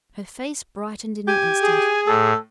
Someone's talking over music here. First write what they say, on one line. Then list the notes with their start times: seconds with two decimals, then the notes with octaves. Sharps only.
Her face brightened in an instant.
1.28 G4 G#5
1.61 G#4
2.07 A2 A4